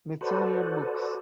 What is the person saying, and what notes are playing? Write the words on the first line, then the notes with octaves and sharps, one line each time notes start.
Smithsonian Books.
F#4 A4 B4 C5 D5